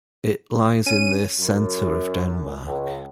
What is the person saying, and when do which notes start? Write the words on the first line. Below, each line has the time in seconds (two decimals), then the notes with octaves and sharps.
It lies in the center of Denmark.
0.86 C#4 D#7
1.40 F#2
2.64 C#2